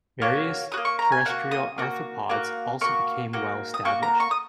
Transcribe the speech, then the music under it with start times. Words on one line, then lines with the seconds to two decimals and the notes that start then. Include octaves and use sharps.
Various terrestrial arthropods also became well-established.
0.22 A#3 F#4 C#5
0.72 F#4 D#6
0.77 A#3
0.85 C#6
0.99 A#5
1.12 G#5
1.25 A#3 F#4 F#5
1.51 D#6
1.78 A#3 F#4
2.30 A#3 F#4
2.81 A#3 F#4 C#6
3.33 A#3 F#4
3.74 D#6
3.85 A#3 F#4 C#6
4.03 A#5
4.20 C#6
4.31 D#6